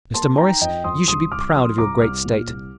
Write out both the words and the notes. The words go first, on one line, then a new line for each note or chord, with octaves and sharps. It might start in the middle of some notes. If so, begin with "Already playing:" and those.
Mr. Morris, you should be proud of your great state.
A#3 A5 C6
D#4 G5 A#5
F2 D#5 G5
F2 C6 D#6
C2 C6 D#6
C2 D6 F6
F3 C6 D#6
C2 A#5 D6
C2 D6 F6
A#2
C2